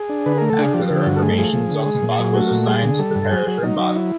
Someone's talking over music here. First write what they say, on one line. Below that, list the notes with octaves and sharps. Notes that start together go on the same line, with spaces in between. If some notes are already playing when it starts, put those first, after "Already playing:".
After the reformation, Zotzenbach was assigned to the parish, Rimbach.
Already playing: G#4
D4
D3 B4
A3 A#4
A4
D4 G#4
F3 G4
D3
G2 F#4
A4
A3 G#4
F3 G#4
F3
D3
G#3
A#2
F#3
A3 F#4
A#2
G3 G#4
D3
G3 A4
G2
F#3 G#4
F#3
F#3 D#4
F#3
E4